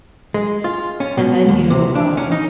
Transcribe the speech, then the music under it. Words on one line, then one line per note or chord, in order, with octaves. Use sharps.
and then you, um,
G#3
F4
C#4
B2
D#2
C3
D4
C#4
D#4